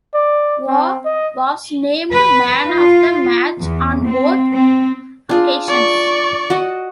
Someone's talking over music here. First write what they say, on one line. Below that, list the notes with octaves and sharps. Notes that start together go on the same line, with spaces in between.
Waugh was named man of the match on both occasions.
D5
C4
D#5
B4
F4
E2
C4
C4
D4 F4 G#4
D5 C#6
F#4 D#5 F#5